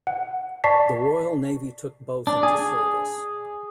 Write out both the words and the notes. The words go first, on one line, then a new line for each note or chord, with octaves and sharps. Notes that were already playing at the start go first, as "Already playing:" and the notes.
The Royal Navy took both into service.
F#5
D5 A5 C#6 B6 C7
D4
G#4